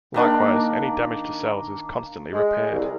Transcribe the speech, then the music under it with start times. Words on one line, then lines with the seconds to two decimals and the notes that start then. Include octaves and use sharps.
Likewise, any damage to cells is constantly repaired.
0.14 D#3 A#3 D4
2.33 G#3
2.72 C2